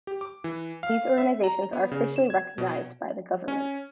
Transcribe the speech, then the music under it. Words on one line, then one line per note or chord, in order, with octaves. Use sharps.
These organizations are officially recognized by the government.
G4
D6
E3
F5
E5
A#5
B3
C#3
E7
G#6
B2
C#4